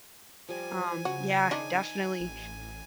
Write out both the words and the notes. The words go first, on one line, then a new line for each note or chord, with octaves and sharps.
Um, yeah, definitely.
F3 G3 D5 G#5
C#3 F#4
D#3 D4 D#4
A1